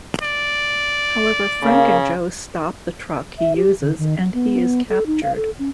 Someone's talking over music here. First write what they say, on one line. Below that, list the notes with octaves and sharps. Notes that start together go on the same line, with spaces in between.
However, Frank and Joe stop the truck he uses and he is captured.
D5
C#3 A#3
E5
G4
D3
D#3
F#3
B3
A4
D#4
F5
A4
C#4